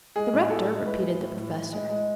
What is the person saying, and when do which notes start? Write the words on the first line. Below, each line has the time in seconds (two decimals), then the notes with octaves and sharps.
"The rector," repeated the Professor.
0.16 G#3 G#4
0.33 A2
0.50 A2 A4
0.68 G#3
0.85 A2 B4
1.02 A2
1.20 A2
1.37 A2
1.55 A2
1.73 G#3
1.89 G#3